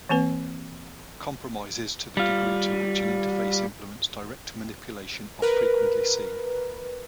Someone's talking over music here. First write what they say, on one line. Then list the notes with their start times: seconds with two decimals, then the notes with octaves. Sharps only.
Compromises to the degree to which an interface implements direct manipulation are frequently seen.
0.09 E3 A#3 C4 B4
2.17 G3 F4
5.42 A#4 B4